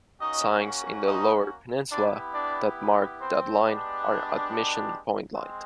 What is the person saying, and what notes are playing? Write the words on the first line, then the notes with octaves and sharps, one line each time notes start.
Signs in the Lower Peninsula that mark that line are at Mission Point Light.
A#3 C#4 D#4 F#4 D#5
D#4 D#5
B3 D4 E4 G4 D5
D4 D5
C4 C5
G#3 B3 D4 G4
G#3 C4